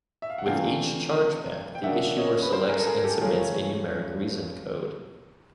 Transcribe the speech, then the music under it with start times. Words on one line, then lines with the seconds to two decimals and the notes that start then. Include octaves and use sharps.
With each chargeback the issuer selects and submits a numeric reason code.
0.22 E5
0.30 F5
0.38 F#5
0.46 C3 E3 A3 D4 F4 F5 G5
1.75 G5
1.83 C#3 F#3 A#3 D4 E5 F#5
2.17 C#5 D#5
2.42 B4
2.53 A#4 C5
2.69 G#4 A#4
2.79 A4
2.87 G#4 A#4
3.04 G4 A4
3.21 C#3 E3 A3 C#4 F4 G#4 A#4